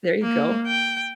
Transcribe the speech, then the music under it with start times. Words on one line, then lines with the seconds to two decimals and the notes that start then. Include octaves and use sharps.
There you go.
0.22 A#3
0.67 G5